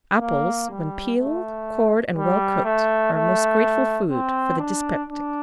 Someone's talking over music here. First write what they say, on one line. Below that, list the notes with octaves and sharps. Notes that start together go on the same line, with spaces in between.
Apples, when peeled, cored, and well cooked, are a most grateful food for the dyspeptic.
A#3
G3
A3
G3
A3
A3
C4
D4
D4